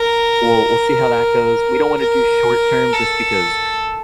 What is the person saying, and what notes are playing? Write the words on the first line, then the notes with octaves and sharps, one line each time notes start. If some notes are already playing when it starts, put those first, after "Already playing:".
we'll we'll see how that goes. We don't wanna do short-term just because
Already playing: A#4
A#4
A4